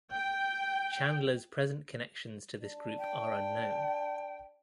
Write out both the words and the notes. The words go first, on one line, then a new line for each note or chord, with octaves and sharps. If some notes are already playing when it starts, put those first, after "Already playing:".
Chandler's present connections to this group are unknown.
G5
D4
G5